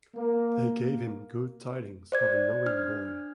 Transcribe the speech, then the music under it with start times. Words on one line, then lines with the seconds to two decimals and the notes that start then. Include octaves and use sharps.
They gave him good tidings of a knowing boy.
0.16 A#3
2.12 C5 D5 G#6
2.66 D4 F6